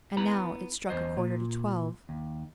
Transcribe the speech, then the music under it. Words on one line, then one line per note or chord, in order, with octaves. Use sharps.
And now, it struck a quarter to twelve.
B3 E4 A#5 B5
E2 C5 D#5
A#2
D#2